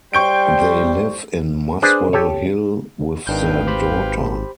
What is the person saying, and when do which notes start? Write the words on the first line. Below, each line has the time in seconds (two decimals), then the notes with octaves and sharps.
They live in Muswell Hill with their daughter.
0.13 G3 C5 G5 C#6 G6 D7
1.82 D4 G#4 B4 C5
2.13 G4 A4 C#5
3.27 G#1 D#3 D4 B4 F5 G5 G6
3.67 G4 C5 B5